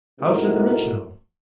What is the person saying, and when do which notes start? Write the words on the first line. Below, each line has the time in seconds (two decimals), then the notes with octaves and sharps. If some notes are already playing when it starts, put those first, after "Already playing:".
How should the rich know?
0.20 A2 C3 G#3 D#4 F#4 A#4